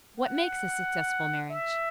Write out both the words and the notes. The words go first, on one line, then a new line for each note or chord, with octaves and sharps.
What makes a successful marriage?
F#5
E5